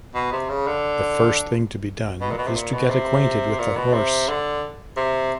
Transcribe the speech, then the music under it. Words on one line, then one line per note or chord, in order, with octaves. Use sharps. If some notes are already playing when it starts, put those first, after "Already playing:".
The first thing to be done is to get acquainted with the horse.
B2
C3
C#3
D3
B2
A#2
B2
C3
A#2
B2
C3
A#2
B2
C3
D3
C3